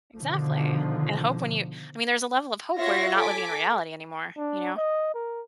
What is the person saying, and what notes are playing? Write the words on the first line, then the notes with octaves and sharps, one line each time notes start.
Exactly, and hope when you I mean, there's a level of hope where you're not living in reality anymore, you know?
B2 D3 D#3 F3
F4 F#4 C#5 E5 F5 A#6
A4 G#5 D6 B6
D4
D#5
A#4